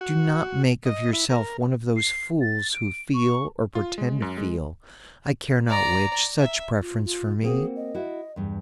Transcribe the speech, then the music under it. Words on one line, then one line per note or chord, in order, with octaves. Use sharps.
Do not make of yourself one of those fools who feel, or pretend to feel, I care not which, such preference for me.
F#4
D#5
E4
A#4
C7
A6
D7
C#6
F4
G#3
F#2
G#3
D5 A#5
E5
F4
F4
A#3 C4 F#4 G#4
D#5
E4 F#4
E2 G2